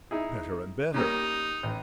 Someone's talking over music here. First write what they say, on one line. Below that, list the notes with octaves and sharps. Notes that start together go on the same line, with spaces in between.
Better and better.
D#4 E4 G#4
G3 A#3 C#4 D#4
A1